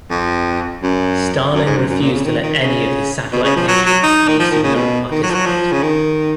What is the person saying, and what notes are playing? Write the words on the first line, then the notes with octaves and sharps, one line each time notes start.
Stalin refused to let any of his satellite nations in Eastern Europe participate.
F2
F#2
F#2
G#2
F#2
F#2
A#2
C#3
D#3
D#3
C#3
B2
C#3
F3
F#3
F#3
D#4
D#3
F3
D#3
C#3
B2
D#3
F#3
F3
F#3
F3
C#3
D#3